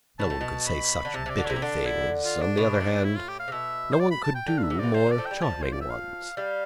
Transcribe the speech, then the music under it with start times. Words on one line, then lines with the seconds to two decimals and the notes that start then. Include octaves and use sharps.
No one could say such bitter things; on the other hand, no one could do more charming ones.
0.19 B2 A5
0.30 A2
0.41 B2
0.67 B5
1.05 D3
1.14 C3 A5
1.26 C3 D5
1.38 D3
1.46 C3 E4
1.56 C3
1.62 D3 D4
1.86 E4
2.25 F4
2.41 D4
2.57 B2
2.81 A2
3.04 E4
3.16 F4
3.29 G4
3.40 F5
3.48 C3
3.52 B2 E5
3.93 C5
3.99 D5
4.11 B5
4.23 A5
4.35 G5
4.46 D3 G5
4.58 F5
4.63 E5
4.70 C3
4.79 E3 D5
4.94 D3 C5
5.06 D3 D5
5.18 F3 A3
5.26 G3 G5
5.42 F3 A5
5.63 C5
5.72 D5
5.81 E5
5.90 F5
6.37 G3 F5